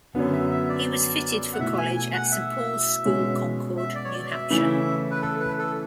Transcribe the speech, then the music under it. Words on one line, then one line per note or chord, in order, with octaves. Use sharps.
He was fitted for college at Saint Paul's School, Concord, New Hampshire.
F#2 D3 F#3 B3
E5
E5
D5
F#5
B2 A3 E4 E5
G#5
G#5
F#5
E5
B2 G#3 C#4
E5
D5
C#5
D5
E5
C#3 E3 A3 E4
B4
A4
B4
A4